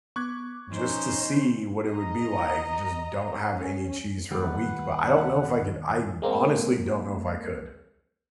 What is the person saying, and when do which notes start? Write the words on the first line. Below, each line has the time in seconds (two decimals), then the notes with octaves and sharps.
just to see what it would be like, just don't have any cheese for a week, but I don't know if I could I honestly don't know if I could.
0.16 B3 C#6 D6 F#6 G#6
0.72 F3 C#4 D#4 C5
1.88 D#5 A#5
3.50 C#4
4.32 D#2 G3 B4 F#5
6.22 G#3 A#3 C4